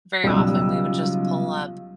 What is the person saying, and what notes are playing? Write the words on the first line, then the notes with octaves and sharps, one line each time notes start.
Very often, we would just pull up
B1 C#3 F#3 G3 F4 E6